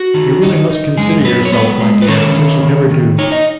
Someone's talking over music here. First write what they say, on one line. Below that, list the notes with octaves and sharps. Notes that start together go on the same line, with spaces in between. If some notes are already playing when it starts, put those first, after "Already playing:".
'You really must consider yourself, my dear, which you never do.
Already playing: F#4
D#3
D#4
D#4
F#2 G#3 G#4
F#3 B3 B4
C#5
G#3 B3 B4
G#3
B4
D#3 C#4 C#5
D#3
D#3
D#3
D#4 C#5
D#5